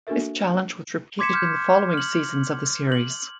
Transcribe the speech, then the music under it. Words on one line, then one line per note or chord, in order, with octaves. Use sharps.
This challenge was repeated in the following seasons of the series.
A#3 D4 F#4 A4 A#4 E5
C6 D6 G#6 B6 C#7 E7
F6 G6 G#6
F6 F#7
F#7